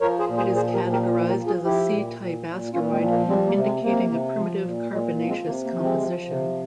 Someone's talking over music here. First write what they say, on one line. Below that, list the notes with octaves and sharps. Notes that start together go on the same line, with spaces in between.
It is categorized as a C-type asteroid, indicating a primitive carbonaceous composition.
F3 A#4 C#5
G#4 C5
A#2
G#4 C5
F3 G#4 C5
G4 A#4
A#2
G4 A#4
F3
G4 A#4
F3
F4 G#4
F3 E4 G4
A#2
A#2
A#2
A#2 C#4 F4
G#3 C4
F3
A#3
G3 G#3 C4
A#3
C3
G#3
C3 A#3
C3
F3
A#2
A#2 G#3
F3
G#3 C4
C3 A#3
A#3
F3
G#3 C4
F3
C3